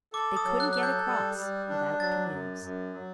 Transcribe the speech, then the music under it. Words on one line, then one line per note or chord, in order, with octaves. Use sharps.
They couldn't get across without canoes.
A4 D6
D#6
F#3
F#6
A4 F#6
G6
G3
G3
D4
F#3 A6
F#2
F#2
F#3